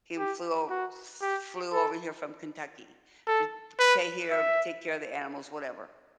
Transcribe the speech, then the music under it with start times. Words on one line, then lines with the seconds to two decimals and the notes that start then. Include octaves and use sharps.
he flew o flew over here from Kentucky to to stay here, take care of the animals, whatever.
0.18 G4
0.70 F#4
1.21 G4
1.72 A4
3.27 A4
3.79 B4
4.30 E5